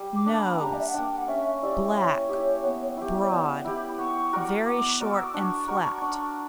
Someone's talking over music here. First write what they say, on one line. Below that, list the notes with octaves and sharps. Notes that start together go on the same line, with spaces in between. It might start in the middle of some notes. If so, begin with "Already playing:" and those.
NOSE--Black, broad, very short and flat.
Already playing: G3
D6
A#3 D4
B5
G5
G3 A#5
D5
E5
F#5
A#3 D4 G5
F#5
C#4 E5
E4 G4 D5
C#4 C#5
E4 G4
B3
E4 G4
C#5
B3 D5
E4 G4 B5
B3 C#6
F#4 A#4 D5
B3 D6
F#4 A#4 D5
E6
D6
D4 C#6
F#4 A#4 D5
D4